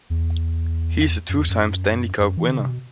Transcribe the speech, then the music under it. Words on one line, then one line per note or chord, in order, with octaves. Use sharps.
He is a two time Stanley cup winner.
E2
F#2
E2
F#2
F#2
E3
D3
C3
B2